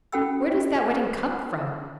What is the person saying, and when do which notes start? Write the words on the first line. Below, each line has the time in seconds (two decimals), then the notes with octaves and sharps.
"Where does that wedding come from?"
0.12 C#4 F#4 A4 G5 B5 E6